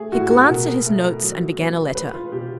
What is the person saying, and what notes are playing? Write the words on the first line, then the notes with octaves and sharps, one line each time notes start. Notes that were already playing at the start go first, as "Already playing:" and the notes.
He glanced at his notes and began a letter.
Already playing: A3 G#4
A2 F#4
F#4
B2 A#4
A3
F#3
B3
G#3 B4
F4
B2 G4